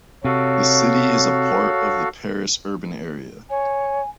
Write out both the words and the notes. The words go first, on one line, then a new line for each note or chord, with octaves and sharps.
The city is a part of the Paris urban area.
C3 F#4 A4 C#5 F5
C#5 G#5